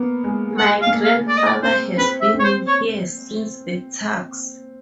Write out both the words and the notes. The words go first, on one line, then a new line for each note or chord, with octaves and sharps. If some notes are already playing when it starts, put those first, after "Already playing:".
My grandfather has been here since the Turks.
Already playing: A#3 B3
G#3
G#3 F#5
F5
A3
A#3
F5
D5
D#5
D5
C4 C5
C4 B4
E5
C4
C#5
C5
C#5